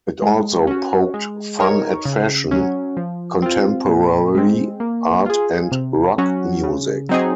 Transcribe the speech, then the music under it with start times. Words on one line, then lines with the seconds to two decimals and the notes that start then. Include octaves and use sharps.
It also poked fun at fashion, contemporary art and rock music.
0.22 G#3
0.67 C#4 F#4
1.14 G#3
1.59 D#4 A#4 C#5
2.05 C#3
2.51 F#3 C#4
2.97 F3
3.42 C4 F4
3.88 A#2
4.35 G#3 C4
4.80 A#3
5.26 F4 G#4
5.72 C3
6.18 F#3 C#4 F#4
6.63 C#3
7.09 F#3 C4 D#4 G#4